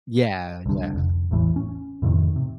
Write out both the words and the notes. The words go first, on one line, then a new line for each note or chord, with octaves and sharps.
Yeah, yeah.
C2 D3
F1
A1 E2 A2 E3
C#4
F2 A2 C3 D#3
C3